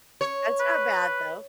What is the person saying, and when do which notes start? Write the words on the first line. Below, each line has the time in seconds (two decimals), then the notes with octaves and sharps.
That's not bad, though.
0.21 C#5
0.60 B4